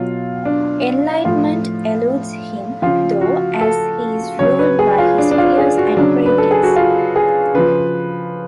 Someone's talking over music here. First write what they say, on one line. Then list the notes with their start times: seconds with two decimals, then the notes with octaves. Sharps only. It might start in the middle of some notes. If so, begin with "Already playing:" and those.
Enlightenment eludes him, though, as he is ruled by his fears and cravings.
Already playing: B2 F#3 F4
0.45 D4
1.25 A2 F3 F4
2.82 C#3 F3 F4
3.21 F#4
3.61 A4
4.39 C#3 F#3 C#5
4.59 B4
4.79 G#4
4.98 F4
5.18 D4
5.31 D4
5.38 F4
5.58 G#4
5.78 F#4
5.97 C#3 F#3 D4
6.26 B4
6.38 A4
6.51 G#4
6.63 F#4
6.76 F4
7.16 G#4
7.54 C#3 F3 B4